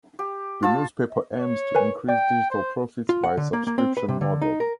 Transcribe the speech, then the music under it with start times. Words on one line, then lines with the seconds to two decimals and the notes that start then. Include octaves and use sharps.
The newspaper aims to increase digital profits via a subscription model.
0.19 G4
0.63 F4 A5 E6
1.40 C#5
1.75 A#4 B4 G#5
2.09 D5 G5
2.50 C5
3.09 F4
3.24 F#5
3.37 D3
3.53 A#3
3.67 A#3
3.78 C4
3.97 B4
4.08 C3
4.21 D3
4.42 D#4
4.60 A#4